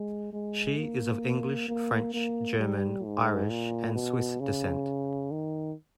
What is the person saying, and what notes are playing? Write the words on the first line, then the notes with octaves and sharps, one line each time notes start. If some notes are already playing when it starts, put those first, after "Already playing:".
She is of English, French, German, Irish and Swiss descent.
Already playing: G#3
G#3
A#3
A#3
A#3
G3
G#2
A#2
B2
C#3
D#3